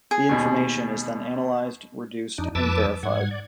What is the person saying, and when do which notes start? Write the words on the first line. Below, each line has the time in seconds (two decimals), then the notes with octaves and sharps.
The information is then analyzed, reduced, and verified.
0.11 G#4
0.29 D#2 B2
2.38 F2 D4 D#4
2.55 F2 B4 A5 D6 E6
3.03 G#2 F#5 G#6
3.31 D5